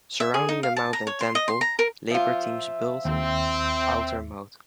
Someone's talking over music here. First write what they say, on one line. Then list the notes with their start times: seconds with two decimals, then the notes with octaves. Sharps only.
Surrounding the mount and temple, labor teams built an outer moat.
0.20 E5
0.34 G#4
0.49 D#4
0.63 F5
0.77 A5
0.93 A#5
1.07 C#5
1.21 C6
1.35 D#5
1.48 C6
1.61 A#5
1.79 A#4
2.10 F3 F4 E5
3.05 D#2 C4